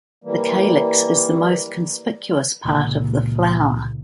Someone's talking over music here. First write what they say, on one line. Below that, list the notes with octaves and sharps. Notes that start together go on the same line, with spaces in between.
The calyx is the most conspicuous part of the flower.
E3 G3 A#3
C#2 A#2 C#3 E3